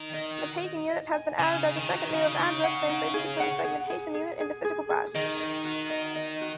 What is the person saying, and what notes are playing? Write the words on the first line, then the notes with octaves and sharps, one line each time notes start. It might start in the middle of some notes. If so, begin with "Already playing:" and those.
A paging unit has been added as a second layer of address translation between the segmentation unit and the physical bus.
Already playing: D#3
D#5
F#4
D#5
D#5
G#5
C#3 G#5
G#5
D#3
F#4
C#3 D#4
D#4
F#5
D#4
G#4
F#5
G#4
G#4
G#4
G#4
G#4
G#4
D#3 D#5
D#5
F#4
D#5
D#5
F#4